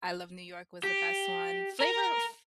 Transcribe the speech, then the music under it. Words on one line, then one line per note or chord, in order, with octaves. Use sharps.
I Love New York was the best one. Flavor Fl
G4
A#4